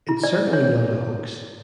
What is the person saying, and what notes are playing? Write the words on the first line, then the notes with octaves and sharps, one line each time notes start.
It's certainly not a hoax.
E4
D5
C#5